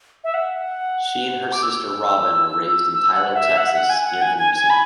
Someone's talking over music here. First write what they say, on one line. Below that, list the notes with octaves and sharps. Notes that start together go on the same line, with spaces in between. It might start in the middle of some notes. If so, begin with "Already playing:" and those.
She and her sister Robyn were raised in Tyler, Texas, near Henderson.
E5
F#5
D6
E6
E6
F#5
E5
F#5
E5
F#5
G#5
F#5
G#5
G#5
G#5
B5